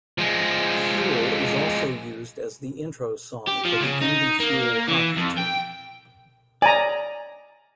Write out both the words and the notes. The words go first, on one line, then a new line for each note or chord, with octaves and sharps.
"Fuel" is also used as the intro song for the Indy Fuel hockey team.
F3 G#3
G4
F3
C#3
D#4
A#3
E3
F2
G5
D5 G#5 A#5